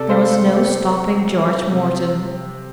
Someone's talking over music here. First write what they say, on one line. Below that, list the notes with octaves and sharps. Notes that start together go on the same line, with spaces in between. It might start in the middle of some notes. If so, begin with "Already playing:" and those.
There was no stopping George Morton.
Already playing: C3 A4 D5
C5 F5
C3 C5 F5
G4 C5
A3
A3
C3